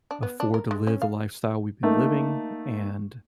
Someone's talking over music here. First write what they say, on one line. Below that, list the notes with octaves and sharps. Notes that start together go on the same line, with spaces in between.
afford to live the lifestyle we've been living and
D4
B3
D4
A#4
G#3
C#4
F5
A3 A#3 D#4